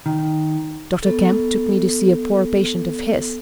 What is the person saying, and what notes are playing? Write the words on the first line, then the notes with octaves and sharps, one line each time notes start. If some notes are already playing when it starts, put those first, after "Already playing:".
"Dr. Kemp took me to see a poor patient of his."
D#3
B3 A4